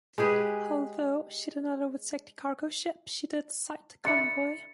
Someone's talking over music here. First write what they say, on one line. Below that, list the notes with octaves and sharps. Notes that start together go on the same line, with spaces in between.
Although she did not overtake the cargo ship, she did sight a convoy.
G#3 G4 G#4 B4
D3 E4 A6 C#7